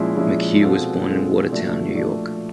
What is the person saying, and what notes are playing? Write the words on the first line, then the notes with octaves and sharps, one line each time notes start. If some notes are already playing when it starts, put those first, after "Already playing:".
McHugh was born in Watertown, New York.
Already playing: A#2 F3 G#3 C#4 E4
A#2 F3 G#3 C#4 E4
B2 G#3 C4 F4 A4
B2 G#3 C4 F4 A4
A#2 F3 A3 D4 F#4
A#2 F3 A3 D4 F#4